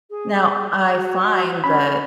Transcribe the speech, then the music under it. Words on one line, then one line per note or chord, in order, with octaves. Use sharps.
now, I find that
G#4
F#4
C#4 B5